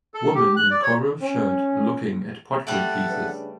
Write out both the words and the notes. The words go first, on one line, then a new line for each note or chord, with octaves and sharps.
Woman in coral shirt looking at pottery pieces.
A4
G4
F#6
D5
C#5
C#4
G3 A3 A4 D5 E5 F#5
C#3 D4 B4